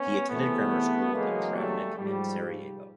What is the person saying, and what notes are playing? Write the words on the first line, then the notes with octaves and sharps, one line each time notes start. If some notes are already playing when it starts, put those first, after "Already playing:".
He attended grammar school in Travnik and Sarajevo.
Already playing: B3 C#4
E2 C3 E3 A3 B3
E2 C#3 F#3 G#3 A#3
G3 A3
G#2 F3 G3